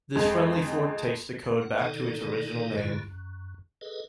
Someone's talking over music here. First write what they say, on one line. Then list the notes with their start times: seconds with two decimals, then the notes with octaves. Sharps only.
This friendly-fork takes the code back to its original name.
0.16 F2 G#3
1.61 F#5
1.81 B2 D#3 D#4 A4 D5
2.77 F#2 A#2 D3 E4 F4
3.07 F#2
3.81 G#4 A4 B4 D#5